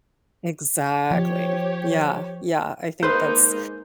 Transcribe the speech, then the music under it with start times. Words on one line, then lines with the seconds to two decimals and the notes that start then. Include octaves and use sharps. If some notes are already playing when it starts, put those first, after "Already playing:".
Exactly, yeah, yeah, I think that's
1.11 F3 G4 C#5
3.03 G#3 A#3 D#4 B4 C5 G6